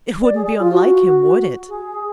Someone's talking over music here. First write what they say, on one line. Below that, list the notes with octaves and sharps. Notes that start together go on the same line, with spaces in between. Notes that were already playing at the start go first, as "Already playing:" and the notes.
"It wouldn't be unlike him, would it?"
D5
G#4
G#4
F4
F#4
G#4